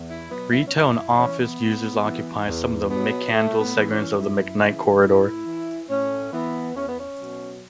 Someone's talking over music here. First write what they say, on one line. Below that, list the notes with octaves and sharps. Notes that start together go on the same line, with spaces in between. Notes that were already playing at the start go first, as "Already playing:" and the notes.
Retail and office uses occupy some of the McCandless segment of the McKnight corridor.
Already playing: E2
E4
B2 F#3 B3
E4
C#4
F#2 E4
E4
E3 C#4
B3
A2
E3
E2
B2 F#3 B3
A2 A3
B3
E3
C#4
F#2 E4
C#3 E3
A2 E4
E3
A2 C#4
E3 B3
E2 C#4
B3
C#4
B2 F#3